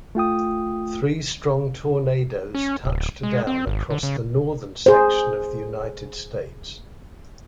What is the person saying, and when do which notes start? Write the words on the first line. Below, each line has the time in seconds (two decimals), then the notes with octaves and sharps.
Three strong tornadoes touched down across the northern section of the United States.
0.15 A3 F4 G5 D#6
2.55 C#4
2.85 D1
3.23 G#3
3.47 C4
3.67 G#1
3.90 D3
4.03 C#3
4.86 G#4 C5